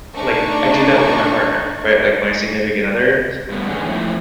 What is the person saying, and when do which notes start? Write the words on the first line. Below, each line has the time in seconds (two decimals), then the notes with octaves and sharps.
like I do that with my partner, right? Like, my significant other.
0.14 A3 D4 D#4 C#6
3.50 G2 B2 A3
3.67 D3 D#3 G#3 B3 C#4 G#4
3.86 F3 A3 E4 F4